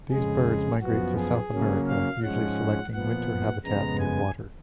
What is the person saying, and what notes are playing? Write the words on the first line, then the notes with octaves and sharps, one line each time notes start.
These birds migrate to South America, usually selecting winter habitat near water.
F2 C#3 G#3 G#4
F#2 F3 B3 F#4
G#4
C#3 F#3 A#3 C#4
F5
G#2 F3 G#3 C#4 F#5
A#2 F3 B3 F#5
F2 C#3 G#3 B3 A#5
G#5